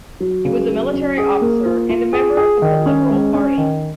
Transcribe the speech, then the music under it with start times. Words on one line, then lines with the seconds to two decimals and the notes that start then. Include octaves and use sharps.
He was a military officer and a member of the Liberal Party.
0.20 F#3
0.45 C#3
0.69 F#3
0.93 C#4
1.18 G#4
1.41 A#3
1.66 F4
1.89 F4
2.13 G#4
2.37 G#4
2.62 D#3
2.86 C#4
3.10 G#3
3.34 C#4
3.58 D#3